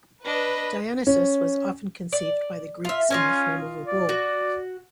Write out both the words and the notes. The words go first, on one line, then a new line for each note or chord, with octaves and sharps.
Dionysus was often conceived by the Greeks in the form of a bull.
D4 B4 D#5
C#4
D5
F4 E5
C#4 F4 D#5 G#5
D5
F#4